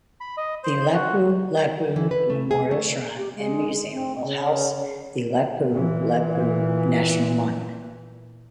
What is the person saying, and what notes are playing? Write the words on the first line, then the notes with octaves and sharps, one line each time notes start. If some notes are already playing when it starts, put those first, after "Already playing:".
The Lapulapu Memorial Shrine and Museum will house the Lapulapu National Monument.
B5
D#5
C5
F#4
E3
B4
A3
G#4
A3
G4
G#3
C4
C#3
A#2 E3